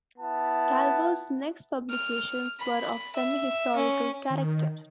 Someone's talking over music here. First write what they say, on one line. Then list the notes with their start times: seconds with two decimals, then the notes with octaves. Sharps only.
Calvo's next publications were of a semi-historical character.
0.18 B3 E4 A5
1.90 F6
2.60 B5
3.15 E5
3.76 C#4
4.30 D#3